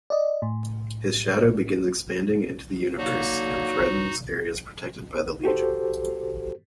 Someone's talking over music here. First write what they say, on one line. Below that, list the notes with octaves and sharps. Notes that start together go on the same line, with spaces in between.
His shadow begins expanding into the universe and threatens areas protected by the Legion.
D5 D#5
A2
D3 F#3 A#3 D#4 F#4
F#4 G4 A4 C5